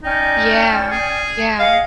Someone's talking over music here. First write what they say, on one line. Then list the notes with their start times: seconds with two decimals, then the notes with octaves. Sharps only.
Yeah, yeah.
0.03 C#4 D#4 D5 G5
0.89 G#4
1.59 G#4 D#5 F5 F#5